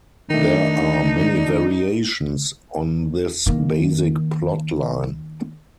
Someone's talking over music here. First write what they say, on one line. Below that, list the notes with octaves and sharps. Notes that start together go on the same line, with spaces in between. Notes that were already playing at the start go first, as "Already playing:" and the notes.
There are many variations on this basic plotline.
D#3 A3 D4 D#4
D#3 A#3